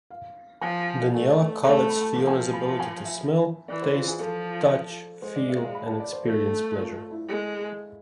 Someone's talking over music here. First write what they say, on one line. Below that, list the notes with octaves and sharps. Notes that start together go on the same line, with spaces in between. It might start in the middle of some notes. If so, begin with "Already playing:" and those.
Daniella covets Fiona's ability to smell, taste, touch, feel, and experience pleasure.
F5
F3 G#5
A3
A3 B5
A5
B5
A5
F3 A5
G#5
A5
B5
A5
G#5
E5
E3 D5
C5
F4
G#4
F3 A4
G#3 C5
D5
E5
F5
B5
A5
D5
C5
A3 A4
F4
E4
G#3